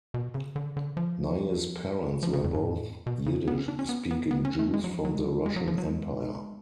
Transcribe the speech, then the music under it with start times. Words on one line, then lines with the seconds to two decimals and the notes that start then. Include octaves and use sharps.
Nye's parents were both Yiddish speaking Jews from the Russian Empire.
0.14 B2
0.35 C#3
0.56 D3
0.77 D3
0.97 F3
2.23 F3
2.33 C#3
2.44 F2
2.54 F#2
2.64 A2
3.06 B2
3.26 C#3
3.48 B3
3.58 C#4
3.68 D4
3.79 C#4
3.89 B3
4.11 B3
4.31 B3
4.45 C#4
4.59 A3
4.74 G#3
4.84 F#3
4.93 F3
5.05 F#3
5.15 G#3
5.25 F#3
5.35 G#3
5.46 G#3
5.56 F#3
5.67 F3
5.78 F#3
5.88 G#3